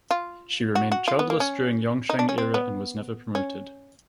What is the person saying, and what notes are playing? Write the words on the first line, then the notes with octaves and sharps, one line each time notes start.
She remained childless during Yongzheng era and was never promoted.
F4
F#4
F#4
F4
B3
A#3
C#4
D#4
D4
C#4
C4
B3
C#4